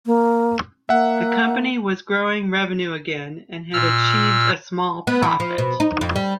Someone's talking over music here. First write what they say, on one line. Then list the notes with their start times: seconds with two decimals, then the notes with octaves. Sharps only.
The company was growing revenue again and had achieved a small profit.
0.06 A#3
0.89 A#3 E5 F#5
3.73 A#2 E6 F6
5.07 B3
5.22 E3
5.40 F3
5.58 B2
5.80 D#4
6.01 F2
6.16 G3